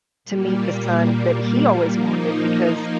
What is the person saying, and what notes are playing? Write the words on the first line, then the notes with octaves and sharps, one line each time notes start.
to meet the son that he always wanted, because,
A#2 G3 A#3
F3 A#3 D#4